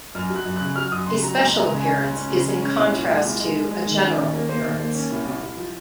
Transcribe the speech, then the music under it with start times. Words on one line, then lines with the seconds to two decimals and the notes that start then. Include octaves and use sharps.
A "special appearance" is in contrast to a "general appearance".
0.15 F#2 F6
0.30 F#3
0.35 F#6
0.45 F#2
0.56 F#6
0.61 C#3
0.76 F#3 F6
0.92 F#2 D#6
1.07 C#3 C6
1.23 F#3 A#5
1.38 C#2 A#5
1.54 G#3
1.59 A#5
1.69 C#3
1.80 G#5
1.85 C#4
2.00 C#2
2.16 C#4
2.31 C#3
2.47 G#3
2.62 C#4
2.77 C2
2.94 A#2
3.09 G#3
3.24 C2
3.40 G#3
3.56 G#3
3.71 G#3
3.86 D#3
4.02 C#4
4.18 D#2
4.33 A#3
4.49 A#3 C5
4.63 D#2
4.79 A#3
4.95 C#4
5.10 C2
5.25 C2
5.41 C2
5.57 F3